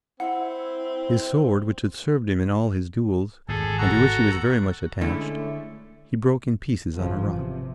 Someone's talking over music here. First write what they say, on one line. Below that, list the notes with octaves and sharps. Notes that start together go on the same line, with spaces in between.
His sword, which had served him in all his duels, and to which he was very much attached, he broke in pieces on a rock.
C4 E4 F#5
G#1 E2 A2 G#4 A4
F#4 A4 A#5
D3 G#3 A3 C#4 E4
G#1 C#3 E3 F3
C3